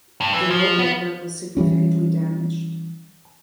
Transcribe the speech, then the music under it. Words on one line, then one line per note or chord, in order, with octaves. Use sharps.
The road network was significantly damaged.
G2
E3
F3
B3
E3 F#3 G3 C#4